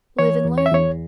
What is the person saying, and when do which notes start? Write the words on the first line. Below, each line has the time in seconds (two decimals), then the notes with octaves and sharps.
Live and learn.
0.19 E3 C#5
0.45 E2
0.58 C#5
0.66 E5
0.72 E2 C#5